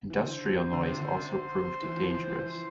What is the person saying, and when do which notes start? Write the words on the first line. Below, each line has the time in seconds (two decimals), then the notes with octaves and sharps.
Industrial noise also proved dangerous.
0.10 E3
0.17 D3 C5
0.45 F3
0.73 D3
0.86 C3
0.98 D3
1.28 C5
1.82 E3
1.97 F3
2.10 E3
2.24 F3
2.38 E3 C5